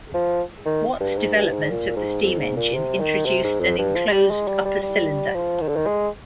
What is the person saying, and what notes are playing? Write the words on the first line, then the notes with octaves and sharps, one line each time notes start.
Watt's development of the steam engine introduced an enclosed upper cylinder.
F3
D#3
G2
G#2
G2
G#2
A#2
G#2
F2
G#2
A#2
C3
D#3
C3
G#2
F2
G2
F3
G#3
G3
G#3
G3
G3
G3
F3
D#3
D3
D#3
G#3